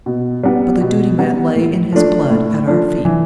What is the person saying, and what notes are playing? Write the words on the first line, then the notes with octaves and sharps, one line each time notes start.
But the duty man lay in his blood at our feet.
B2
G3 B3
B2
G3 B3
A2
F3 A3 D4
A2
F3 A3 D4
E3